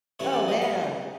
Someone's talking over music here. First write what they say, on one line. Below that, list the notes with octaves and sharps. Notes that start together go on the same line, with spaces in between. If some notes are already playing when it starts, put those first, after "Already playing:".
Oh, man.
G2 E3 A3 C#4 C#5
D5
D#5
F5